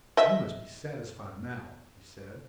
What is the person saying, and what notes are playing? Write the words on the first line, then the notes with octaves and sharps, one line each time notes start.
"You must be satisfied now," he said.
D#5 E5